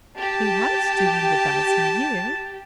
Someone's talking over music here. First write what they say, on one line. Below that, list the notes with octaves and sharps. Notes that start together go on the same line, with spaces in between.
He has two hundred thousand a year.
G4 A5